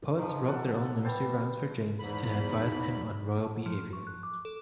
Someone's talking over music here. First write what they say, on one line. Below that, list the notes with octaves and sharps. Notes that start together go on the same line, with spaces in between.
Poets wrote their own nursery rhymes for James and advised him on royal behavior.
D#3 F3
A#3 A4 F#5
B4 C5 D5 G5 A5 B5
E2 G#2 B5
A5
F3
C#6
F#6
D6
A4